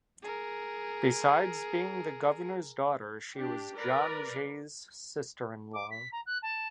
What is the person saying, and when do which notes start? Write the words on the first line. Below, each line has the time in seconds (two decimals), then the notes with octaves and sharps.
Besides being the governor's daughter, she was John Jay's sister-in-law.
0.23 G#4 A#4
3.36 D4 G4
3.76 A#4 B4 D5
5.73 D6
5.91 B6
6.12 A#5
6.26 F#6
6.42 A5